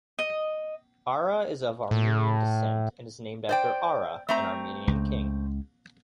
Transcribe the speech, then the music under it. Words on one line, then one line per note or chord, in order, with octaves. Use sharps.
Ara is of Armenian descent, and is named after Ara, an Armenian king.
D#5
A2
C5 D5 G5
A3 C4 A#5
C#2